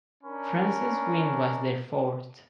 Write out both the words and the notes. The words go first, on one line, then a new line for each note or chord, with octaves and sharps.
France's win was their fourth.
C#4 D4 A#4 B5